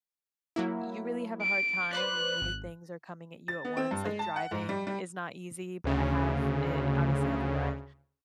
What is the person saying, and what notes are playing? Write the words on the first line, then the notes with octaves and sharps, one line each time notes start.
you really have a hard time when many things are coming at you at once. Like, driving is not easy, but I have, eh, obviously, I have to drive,
F#3 A#3 E4
D7
B4 C5 D5 F#6
G#1
A6
B3
C4
G2
G#3
A5
F#5
G#2
G3
G3
D2 C#3